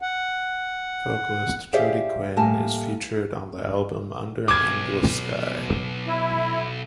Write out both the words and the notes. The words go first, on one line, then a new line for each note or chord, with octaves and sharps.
Vocalist Jody Quine is featured on the album "Under An Endless Sky".
F#5
G4 G#4 C5 D5 E5 F5
A2 G3 A#3 G#5 A5
B1 D6 G#6
E4